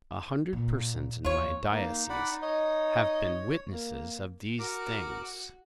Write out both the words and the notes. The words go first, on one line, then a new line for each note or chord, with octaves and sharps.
A hundred persons in my diocese have been witnesses of these things.
A#2
D#2 F4 C#5
A#3 D#4
D5 F#5 B5
C#5 D#5
A#3
F#4 A#4 D6